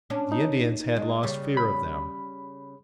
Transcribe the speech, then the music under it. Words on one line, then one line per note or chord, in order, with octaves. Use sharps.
The Indians had lost fear of them.
C#4 D4
D#4
G#3
C#3 G3
B5